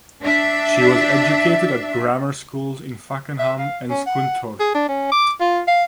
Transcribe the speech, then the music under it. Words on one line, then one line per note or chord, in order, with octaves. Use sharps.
She was educated at grammar schools in Fakenham and Scunthorpe.
D4 E5
E5
F5
C#4
F#5
G#4
D4
C#4
D6
F4
F5